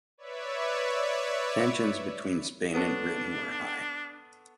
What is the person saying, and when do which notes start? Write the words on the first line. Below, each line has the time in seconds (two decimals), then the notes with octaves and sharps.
Tensions between Spain and Britain were high.
0.18 B4 C#5 D5 E5
2.74 B3 D4 A4 C#5